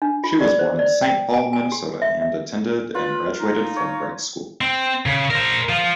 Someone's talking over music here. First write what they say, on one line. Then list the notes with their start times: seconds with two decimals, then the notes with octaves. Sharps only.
She was born in Saint Paul, Minnesota, and attended and graduated from Breck School.
0.02 D4
0.24 F4
0.41 D5
0.59 C5
0.79 D5
1.02 G5
1.34 G#5
1.53 G#5
1.72 G4
2.02 E5
2.22 E5
2.95 F4 B4
3.40 D#4
3.77 C#5
4.61 C4
5.06 C#3
5.31 A#4 C5
5.69 F3 F4